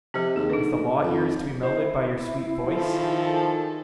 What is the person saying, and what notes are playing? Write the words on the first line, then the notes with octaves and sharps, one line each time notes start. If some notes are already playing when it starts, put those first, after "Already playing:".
Has the law ears to be melted by your sweet voice?
C3 F3 C4
D#2 G#4
D3 D#4 B4
F2
E4 C5
D#3 F3 G#4 A4